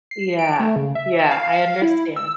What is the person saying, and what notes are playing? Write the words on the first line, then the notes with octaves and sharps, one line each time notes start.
Yeah, yeah, I understand.
C7
D7
A3
C#3
E5
F5
E4
E6